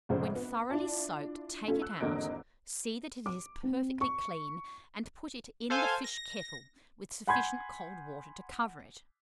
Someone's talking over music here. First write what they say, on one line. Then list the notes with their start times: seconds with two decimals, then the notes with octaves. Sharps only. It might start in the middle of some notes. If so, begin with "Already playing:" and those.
When thoroughly soaked, take it out, see that it is perfectly clean, and put it in the fish-kettle with sufficient cold water to cover it.
0.09 F1 A#1 G#2 C#3 C5
0.36 B3
0.70 D4 E4 F4 D5 A5
1.67 A3 C#4 F4 A4
1.82 E6 F#6
2.01 G#1 E2 D3 A#3 D#5 D7
3.26 D6
3.63 C4
4.01 C#6
5.70 A4 C5 F5 G#5
6.04 A#6
7.27 F#5 G#5 B5 C6 G6 G#6